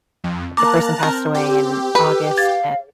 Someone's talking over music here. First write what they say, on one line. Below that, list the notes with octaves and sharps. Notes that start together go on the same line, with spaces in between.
if the person passed away in August and,
F2
A#3 A5 A#5 D6 F#6
C4 A#4
G4
A4 B4
F5 G#6 A6